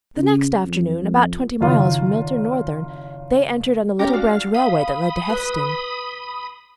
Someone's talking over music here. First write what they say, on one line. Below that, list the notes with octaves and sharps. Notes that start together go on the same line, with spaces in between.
The next afternoon, about twenty miles from Milton-Northern, they entered on the little branch railway that led to Heston.
C#3
F2
F2
F#1 D#3 F4
C#4 G4 A#5
D4 F#4 F5
F5 B5 D#6
B4